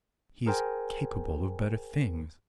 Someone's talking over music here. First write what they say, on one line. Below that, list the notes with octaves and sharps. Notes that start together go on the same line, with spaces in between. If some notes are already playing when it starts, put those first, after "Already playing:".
He is capable of better things.
G#4 A#4 C5 G5 G#5